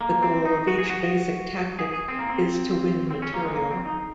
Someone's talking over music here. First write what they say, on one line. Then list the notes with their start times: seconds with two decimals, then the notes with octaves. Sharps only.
The goal of each basic tactic is to win material.
0.01 A#3
0.23 C4
0.45 D#4
0.67 F#4
0.78 G#4
0.90 F#4
1.79 G#4
1.93 G#4
2.08 C4
2.19 A#3
2.30 C4
3.11 C4
3.22 C#4
3.34 A#3
3.44 G#3
3.55 A#3
3.71 C4
3.86 D#4